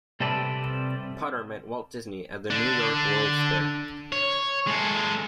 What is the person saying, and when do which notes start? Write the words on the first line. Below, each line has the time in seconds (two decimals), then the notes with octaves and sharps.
Potter met Walt Disney at the New York World's Fair.
0.20 C3 G3 C4 A4 B4 D5
2.50 D3 D4
4.12 C#5
4.67 G#3 A4